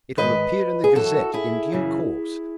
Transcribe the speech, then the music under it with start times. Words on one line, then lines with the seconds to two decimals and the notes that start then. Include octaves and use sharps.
It will appear in 'The Gazette' in due course.
0.17 G#2 D#3 B4 D#5
0.84 G#4
0.95 F#2 E3 F#4 A4
1.34 E4 G#4
1.72 F#2 C#3 E3